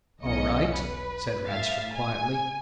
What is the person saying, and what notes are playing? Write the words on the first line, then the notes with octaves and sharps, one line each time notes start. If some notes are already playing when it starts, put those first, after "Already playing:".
"All right," said Ransford quietly.
B1 E2 C#4 D#5 C#7
B4
A2 E5 F5 A6
G#5